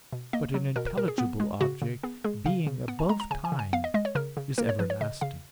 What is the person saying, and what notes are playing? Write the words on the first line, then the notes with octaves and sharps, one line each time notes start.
But an intelligible object, being above time, is everlasting.
B2
A#3 D#5
F#3
B2 A#4
A#4
B2 A#4
G#4
B3
G#3
C#3 F#4
C#3
B3 G#4
G#3 G#4
C#3 F5
C#3
B3 F#5
G#5
G#3 A#5
A#5
C#3 G#5
G#5
C#3
G#5
B3 F5
D#5
G#3 D#5
C#5
C#3 A#4
C#3
A#3 A#4
C#5
F3 B4
C#5
C#3 D#5
C#3 F5